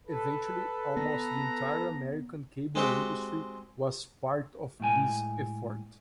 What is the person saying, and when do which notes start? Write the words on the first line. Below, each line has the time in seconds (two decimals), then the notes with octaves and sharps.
Eventually, "almost the entire American cable industry" was part of this effort.
0.07 A4 B4
0.97 B3 A#5
2.75 G#3 C4 F#4 G4
4.80 A2 G#3 G5 G#5